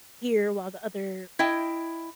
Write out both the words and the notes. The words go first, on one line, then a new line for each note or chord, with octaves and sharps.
here while the other
E4 D#5 G5